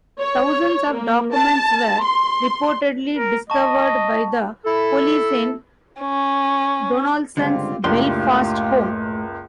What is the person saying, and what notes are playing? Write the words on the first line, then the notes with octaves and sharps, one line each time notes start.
Thousands of documents were reportedly discovered by the police in Donaldson's Belfast home.
C#5
A#3
A5
C6
A#4
D#5 A5 C#6
E4 A4
C#4
C#2 G2 D3 C4 F4 G4
F#1 C#2 A2 D4 F4 G4 C6